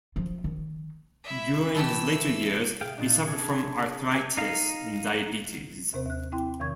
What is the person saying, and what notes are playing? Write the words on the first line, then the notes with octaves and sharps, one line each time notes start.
During his later years, he suffered from arthritis and diabetes.
F3 F4
D#3
E4 E5
E3 A3 G4 E6
C3 G#4 F5 G5
A#2 D4 D#4 F4
C3 D4 G#4 A4
G#5
D#4 F5
D#2 C3 C4 C5
D#2 F#6
C4 E4 G5 C6
E2 C3 D#3 C#6 G#6